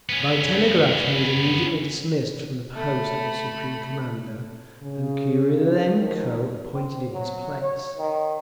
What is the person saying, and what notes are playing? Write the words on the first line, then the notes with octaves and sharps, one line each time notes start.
By telegraph he was immediately dismissed from the post of Supreme Commander, and Krylenko appointed in his place.
B3 C#4
A3 B5
C#3
D#3 F3 F#3 A#4
C4
F#3
C#5
D#3